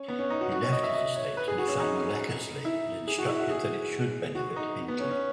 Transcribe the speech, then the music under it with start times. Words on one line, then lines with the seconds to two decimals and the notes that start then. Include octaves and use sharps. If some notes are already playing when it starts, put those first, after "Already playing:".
He left his estate to Nathaniel Eckersley and instructed that it should benefit Hindley.
Already playing: C#4
0.08 B3
0.19 C#4
0.30 D#4
0.41 F#4
0.52 F#4
0.63 C#5
0.72 D#5
0.83 E5
0.94 D#5
1.16 C#5
1.37 B4
1.48 G#4
1.58 F#4
1.68 C#4
1.80 D#4
2.65 E4
3.08 G#4
3.18 F#4
3.29 E4
3.40 F#4
3.50 G#4
4.35 F#4
4.56 D#4
4.88 B3
5.00 C#4
5.10 C#4